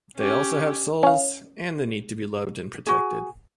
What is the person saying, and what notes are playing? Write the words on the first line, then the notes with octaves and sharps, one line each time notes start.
They also have souls, and the need to be loved and protected.
C#4 G4
C#4 F5
F#4 G#4